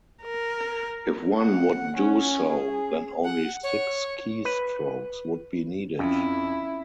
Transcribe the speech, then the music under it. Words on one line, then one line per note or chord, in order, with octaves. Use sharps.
If one would do so then only six keystrokes would be needed.
A#4
F#5
C#4
G#4
F#5
C#5
B4
F2 C#4 E4